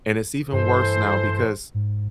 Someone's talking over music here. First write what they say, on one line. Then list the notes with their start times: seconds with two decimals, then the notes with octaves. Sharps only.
And it's even worse now because
0.52 G2 E3 A4 C5
1.74 G#2